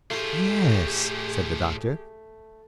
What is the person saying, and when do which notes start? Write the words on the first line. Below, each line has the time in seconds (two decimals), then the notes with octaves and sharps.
"Yes," said the Doctor.
0.11 A2 A3 F4 G4 G#4